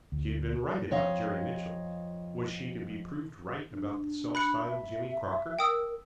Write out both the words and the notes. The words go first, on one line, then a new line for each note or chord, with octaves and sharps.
She had been right about Jerry Mitchell; was she to be proved right about the self-styled Jimmy Crocker?
D2
F2 C#5 D#5 F5
D4
B5 F#6 C#7
E5
A#4 G5 D#6 E6